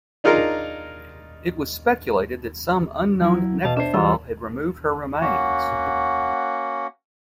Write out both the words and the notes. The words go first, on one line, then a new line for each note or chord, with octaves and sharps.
It was speculated that some unknown necrophile had removed her remains.
D4 D#4 F4 G#4 A#4
F#3 E4
B2 F5 A5
D4 C5 E5
E2 G3 F4 E6
A#3 C#4 F#4 F#5